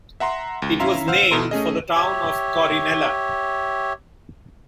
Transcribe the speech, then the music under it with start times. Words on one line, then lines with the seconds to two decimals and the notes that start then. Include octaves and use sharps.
It was named for the town of Corinella.
0.20 E5 F#5 A#5 C6
0.62 C#2
0.80 C#4 E4 E5 F5 A#5 C6
1.08 C5 F5 F#5 E6 F6
1.31 B2 B3 E4 A4 A#5 C6
1.51 A3 C#4 G#4 D#5
1.95 G4 C#5 E5